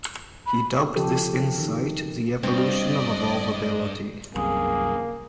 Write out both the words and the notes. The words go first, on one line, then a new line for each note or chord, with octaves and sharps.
He dubbed this insight "the evolution of evolvability".
B5
C#3 F3 G4 A4
D#3
G2 C4 D5 D#5
C2 F#2 C3 A#3 G#4